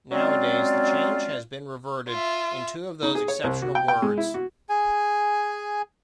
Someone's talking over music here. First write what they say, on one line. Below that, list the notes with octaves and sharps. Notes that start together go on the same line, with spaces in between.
Nowadays, the change has been reverted in two of those exceptional words.
F#3 G#3 C4 C#4 F4 D5
F4 E5
D#4
G#4
C#5
C2
F#4
G5
G5
G#3
E4
F#4
G#4 G#5